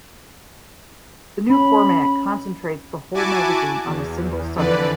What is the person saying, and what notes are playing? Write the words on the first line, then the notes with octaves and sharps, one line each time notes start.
The new format concentrates the whole magazine on a single subject.
C#4 B5
E4 F#4 G#5 A5 D6
E2
F2 D3 E3 B4 D5